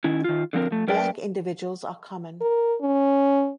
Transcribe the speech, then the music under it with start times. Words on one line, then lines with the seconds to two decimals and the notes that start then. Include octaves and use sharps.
Black individuals are common.
0.04 D#3 C#4 E4
0.24 D#3 F4
0.53 D3 F3 C4 A#4
0.71 F3 A3
0.88 F#2 A#4 B4 D5 G5
2.41 A#4
2.81 C#4